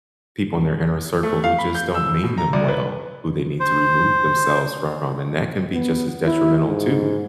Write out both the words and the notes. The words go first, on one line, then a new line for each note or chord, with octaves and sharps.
people in their inner circle who just don't mean them well, who they need to remove themselves from, and that can be just as detrimental too.
A3
F5
B5
G6
E6
B2
A#5
C2
B4
C5
B3
E4
G#2